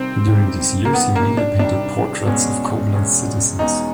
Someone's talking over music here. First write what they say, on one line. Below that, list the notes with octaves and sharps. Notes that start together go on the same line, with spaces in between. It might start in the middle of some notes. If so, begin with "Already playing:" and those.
During these years he mainly painted portraits of Koblenz citizens.
Already playing: C3 D#3 G3 C4
C3 D#3 G3
A#3
C3 D#3 G3 B3
A#3
D4
C3 D#3 G3 D4
E2 B2 G#3 C#4
E2 B2 G#3 C#4
E2 B2 G#3 C#4 D#4